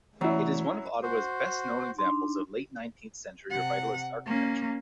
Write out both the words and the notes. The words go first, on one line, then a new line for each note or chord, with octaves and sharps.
It is one of Ottawa's best known examples of late-nineteenth century revivalist architecture.
E3 F#3 A3 C#4 E4 D5
F#4 C5
D4 D#4 C6
C3 F#5
A#3 C#4